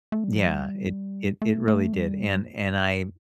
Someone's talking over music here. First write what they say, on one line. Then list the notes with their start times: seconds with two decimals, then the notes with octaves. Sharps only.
yeah. It it it really did. And and I
0.12 A3
0.24 G3
0.34 F3
0.46 G3
1.42 A3
1.68 A3
1.93 G3